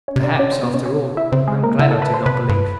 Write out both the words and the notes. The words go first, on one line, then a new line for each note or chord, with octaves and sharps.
Perhaps, after all, I am glad I do not believe.
C#4 C#5
C3
D4 D5
C#4 C#5
C4 C5
B3 B4
C#4 C#5
C#4 C#5
E4 E5
C#3 C4 C5
G#3 G#4
A#3 A#4
C#3 E4 E5
A4 A5
B4 B5
C5 C6
C3 B4 B5
G2